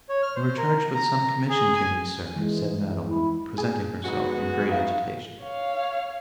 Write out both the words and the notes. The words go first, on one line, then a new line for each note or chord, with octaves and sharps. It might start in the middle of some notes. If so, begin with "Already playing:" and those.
'You are charged with some commission to me, sir,' said Madeline, presenting herself in great agitation.
C#5
F6
C5
A#4
A#5
G#4
G#5
E3 G#3
E4
D4 G#4 G#5
G#3 B3 D#4 F#4 D#5 F#5
D#4 E5 F5
C#5 F5